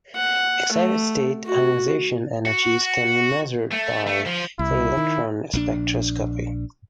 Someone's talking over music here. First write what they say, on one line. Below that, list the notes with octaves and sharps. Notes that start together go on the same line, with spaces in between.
Excited-state ionization energies can be measured by photoelectron spectroscopy.
F#5
A3
F#4
F#4
A3
A3
F3
C2 E4
D#3
A#1 E3 D4